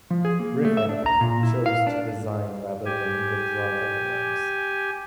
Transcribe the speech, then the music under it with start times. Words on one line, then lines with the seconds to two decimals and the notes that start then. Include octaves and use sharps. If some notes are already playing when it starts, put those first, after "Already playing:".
Griffith chose to resign rather than withdraw the remarks.
0.11 F3
0.25 G#4
0.40 A#3
0.65 A3
0.77 E5
0.89 D4
1.06 A#5
1.21 A#2
1.43 E4
1.66 F5
1.87 D4
2.85 G4 G#5